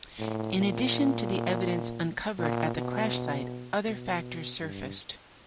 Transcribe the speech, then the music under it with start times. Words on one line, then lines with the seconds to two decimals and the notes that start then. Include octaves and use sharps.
In addition to the evidence uncovered at the crash site, other factors surfaced.
0.18 A2
0.55 A#2
2.39 A#2
2.75 B2
3.86 B2
4.60 G2